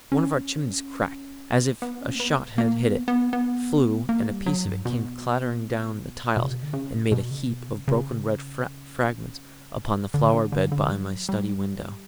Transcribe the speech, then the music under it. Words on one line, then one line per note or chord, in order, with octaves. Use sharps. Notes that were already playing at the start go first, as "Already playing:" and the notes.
One of our chimneys cracked as if a shot had hit it, flew, and a piece of it came clattering down the tiles and made a heap of broken red fragments upon the flower bed by my study window.
C#4
B3
C#4
A#3
B3
A#3
B3
B3
B3
A#3
G3
F#3
G2
B2
B2
C#3
B2
D3
C#3
B2
C#3
B2
C#3
C#3
D3
D3
D3
D3
F#3
G3